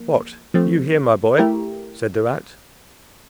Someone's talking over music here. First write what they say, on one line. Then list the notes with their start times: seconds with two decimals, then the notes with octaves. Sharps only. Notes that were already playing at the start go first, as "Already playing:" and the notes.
"What! you here, my boy?" said the rat.
Already playing: F3 A#3
0.54 F3 A3 C4
1.38 A3 E4 G4 A#4